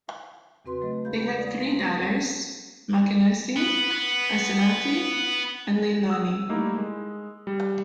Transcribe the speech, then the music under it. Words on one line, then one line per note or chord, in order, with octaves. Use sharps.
They have three daughters - Makenesi, Asinate and Leilani.
E2 C#3 C4 F#4 B4 C6
F#3 A3 B4 D#5
G#3 G#4 F5 B5 G6
B4 C#5 D5 F#5
D#6
A#3 C4 F5
B3
B3
D#6 E6
G3 A3 A#3 D#4 E4
G#3
G3